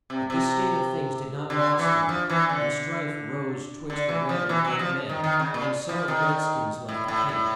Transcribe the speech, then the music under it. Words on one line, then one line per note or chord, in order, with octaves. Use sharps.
But this state of things did not last long, and strife rose twixt the red and white men, and some of the red-skins left the camp.
C3
C3
D3
E3
F3
E3
D3
D3
E3
F3
E3
F#3
F3
D#3
D#3
C#3
A#2
F3
D#3
A2
A2
A2